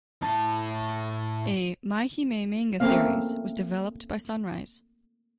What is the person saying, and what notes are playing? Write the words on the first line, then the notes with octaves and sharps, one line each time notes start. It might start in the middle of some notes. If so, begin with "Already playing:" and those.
A "My-Hime" manga series was developed by Sunrise.
A2 A5
A3 A#3 C4 C#4 F5